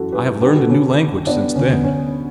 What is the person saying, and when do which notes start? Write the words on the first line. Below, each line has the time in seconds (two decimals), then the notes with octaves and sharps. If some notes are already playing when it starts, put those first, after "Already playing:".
I have learned a new language since then.
Already playing: F#2 E3 F#4 A4
0.12 G4 B4
0.41 G2 D3 G4 B4
0.55 F#4 A4
0.69 C#4
1.27 B3 D4
1.55 D2 D3 C#4
1.70 B3
1.84 C#4